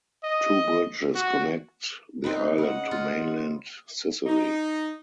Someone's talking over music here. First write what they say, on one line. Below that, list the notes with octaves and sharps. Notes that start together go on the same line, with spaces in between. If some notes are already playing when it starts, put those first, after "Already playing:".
Two bridges connect the island to mainland Sicily.
D#5
F#4
C4 D#4 B4 D#5
C#3 D#5 F#5
F4
D#4